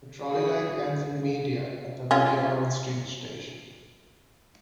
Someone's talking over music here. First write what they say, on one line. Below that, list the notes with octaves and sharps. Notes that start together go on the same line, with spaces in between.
The trolley line ends in Media at the Media-Orange Street station.
F#4 G#4
C#4 F4